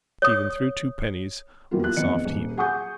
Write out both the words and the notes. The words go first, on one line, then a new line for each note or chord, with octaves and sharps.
Stephen threw two pennies on the soft heap.
C#5 D#6
E3 F#3 G3 A#3 B3 F4
F#6
F1 E2 D#5 C#7
D#1
G#4 F#5 G#5 C#6 D#6 G6